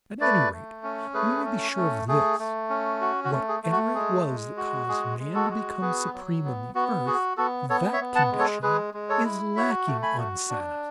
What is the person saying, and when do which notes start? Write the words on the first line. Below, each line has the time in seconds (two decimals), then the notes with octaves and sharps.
"At any rate, we may be sure of this: whatever it was that caused man to become supreme on the earth, that condition is lacking on Sanus!"
0.21 A3 B4 D5
0.52 A3
0.83 C#4
1.14 A3 G#4 B4
1.45 C#4
1.76 A3
2.08 A3 G#4
2.39 A3
2.70 C#4
3.01 F#4
3.24 F#4
3.32 A3
3.49 G#4
3.63 A3
3.72 F#4
3.95 G#3 G#4
4.27 G#3
4.57 F#4
4.89 G#3 G#4
5.20 G#3
5.35 F#4 A4
5.50 F#4
5.81 B3 G#4 B4
6.14 F#3
6.45 B3
6.75 B3 F#4
7.06 F#4 G#4
7.37 B3 F#4 A4
7.70 B3 A4 C#5
7.93 C#5 E5
8.01 B3
8.15 F#5 A5
8.32 G#3
8.39 A4 C#5
8.63 G#3 G#4 B4
8.94 G#3
9.09 A4 C#5
9.24 E4
9.56 F#4 C#5 E5
9.87 A3
10.02 G#5 B5
10.18 F#4
10.49 D4